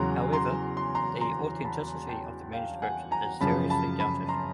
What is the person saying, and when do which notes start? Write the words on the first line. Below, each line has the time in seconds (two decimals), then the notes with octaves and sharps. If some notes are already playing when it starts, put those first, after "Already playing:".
However, the authenticity of the manuscript is seriously doubted.
Already playing: E2 C#3 F#3 A#5 C6
0.33 A#5 C6
0.77 C6
0.95 A#5 C6
1.21 A#5 C6
1.65 A5 B5
2.09 G5 A5
2.53 F5 G5
2.82 F#5 G#5
3.11 G#5 A#5
3.41 F#2 C#3 F3 A5 B5
3.70 A5 B5
4.00 A5 B5
4.28 A#5 C6